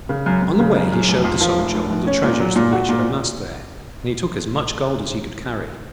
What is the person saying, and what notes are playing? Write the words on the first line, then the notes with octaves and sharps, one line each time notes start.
On the way he showed the Soldier all the treasures the Witch had amassed there, and he took as much gold as he could carry.
C#3
F#2
F#2
C#3
F#2
F#2
F1
F2
F3
F1
F1
F1
C#4
A#2
F#3
A#2
F#4
A#2